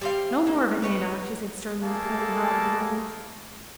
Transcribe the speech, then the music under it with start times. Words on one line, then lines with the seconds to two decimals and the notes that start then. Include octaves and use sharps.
"No more of it, Nana," she said sternly, pulling her out of the room.
0.01 G3 C4 F5
0.47 A#3
0.82 B4 C#5 D#5
1.82 G3 A3 A#3 G#4 A4 A5